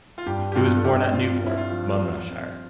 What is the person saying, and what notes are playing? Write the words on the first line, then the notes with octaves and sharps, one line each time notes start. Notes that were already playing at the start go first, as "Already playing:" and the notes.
He was born at Newport, Monmouthshire.
F4
G2 G4
G4
G2 F4
A4
G2 G4
C4 F4
C4 E4
F4
F3
G3
C4